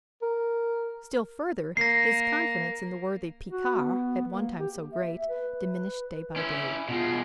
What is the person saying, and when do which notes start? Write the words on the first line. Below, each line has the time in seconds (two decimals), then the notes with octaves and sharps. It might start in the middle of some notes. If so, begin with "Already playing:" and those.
Still further, his confidence in the worthy Picard, at one time so great, diminished day by day.
0.22 A#4
1.77 A#3 A#6 C7
3.49 F#4
3.77 B3
4.28 A#3
4.60 G4
4.92 E5
5.28 B4
6.36 C#4 E4
6.89 B2 G#3 F4